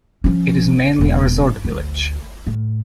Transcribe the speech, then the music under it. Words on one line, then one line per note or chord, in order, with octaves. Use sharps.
It is mainly a resort village.
F3 C#4
E1 D#2
D2
A2